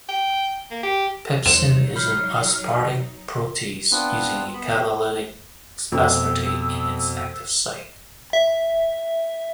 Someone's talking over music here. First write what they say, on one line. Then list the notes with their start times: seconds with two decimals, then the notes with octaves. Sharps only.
Pepsin is an aspartic protease, using a catalytic aspartate in its active site.
0.09 G5
0.71 A#3
0.83 G4
1.46 E2 F#3 D#4 C5 E7
1.96 B5 F6 G6 C7
3.91 B3 C4 D4 F4 B4
4.54 B3 B5
5.92 F2 B2 A3 E6
8.33 E5